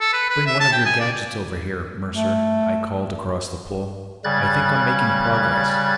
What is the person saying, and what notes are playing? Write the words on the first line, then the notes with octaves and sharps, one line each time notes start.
"Bring one of your gadgets over here, Mercer," I called across the pool. "I think I'm making progress."
A4
B4
B4
E5
A5
G5
G#5
D5
A3
C#3 G3 F#6 G#6 A6